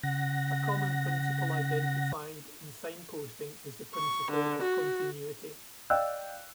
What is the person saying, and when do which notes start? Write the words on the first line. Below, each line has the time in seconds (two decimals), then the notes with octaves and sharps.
A common principle identified in signposting is the principle of continuity.
0.03 C#3 F#5 A#6
3.94 C#6
4.31 D3
4.62 F#4
5.90 D5 D#5 F5 G5 E6 F#6